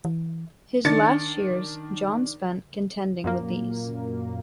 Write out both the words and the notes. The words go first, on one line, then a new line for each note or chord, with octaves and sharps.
His last years John spent contending with these.
E3
D#3 D4 A6 C#7
F#2 A#2 A#3